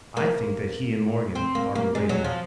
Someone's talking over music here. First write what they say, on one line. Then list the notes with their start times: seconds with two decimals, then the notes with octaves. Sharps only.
I think that he and Morgan are related.
0.17 A#3
1.35 C4
1.55 A#3
1.75 A#3
1.95 G#3
2.09 F#3
2.24 F3